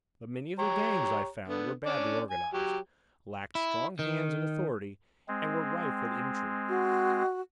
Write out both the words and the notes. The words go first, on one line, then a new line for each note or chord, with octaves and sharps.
But many of the gangs, I found, were badly organized, lacked strong hands in authority, and were rife with intrigue.
G4 C#5 A#5
D3 B3
C#4 D4 D5
G#5
F#3 G4
E4
D#3
G#3 C4
F#4